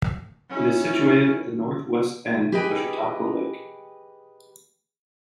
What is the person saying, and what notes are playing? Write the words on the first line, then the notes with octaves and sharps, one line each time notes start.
It is situated at the northwest end of Chautauqua Lake.
C#4 E4
G4 G#4 B4 D#5 E5 G5